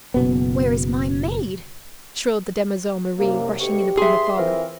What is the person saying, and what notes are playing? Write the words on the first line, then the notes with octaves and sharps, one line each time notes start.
"Where is my maid?" shrilled the demoiselle Marie, rushing in upon her father.
F#1 B2 B3
C2 F#2 C3 A#3
D2 B2 G4 C#6
G2 G#4 E5 C6
E3 C4 F4 A#4